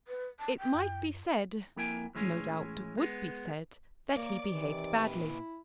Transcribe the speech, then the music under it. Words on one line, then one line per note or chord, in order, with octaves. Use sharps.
It might be said, no doubt would be said, that he behaved badly.
B4
A5
G5
F#2
F2 A#3 E4 G5 G#5
A2 E3 G#3 C#4
G#3 B3
A#3 A#4 C#5 D5
C3 D#3 E3 G4
A#2 B4
E4